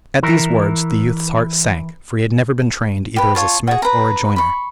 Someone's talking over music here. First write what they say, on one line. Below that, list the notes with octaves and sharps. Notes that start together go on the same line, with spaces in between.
At these words the youth's heart sank, for he had never been trained either as a smith or a joiner.
E3 E4 A#4
G4 B4
F4 C#5 A5
F#4 G#4
B4 A#5
B5 C#6